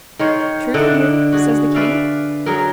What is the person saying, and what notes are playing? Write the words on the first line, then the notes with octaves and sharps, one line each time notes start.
"True for you," says the king.
D#3 C5 C#5
D3 D4 E4 D#5
F#4 G#4
B4 D5 E5 F5
F#3 G#4 A#4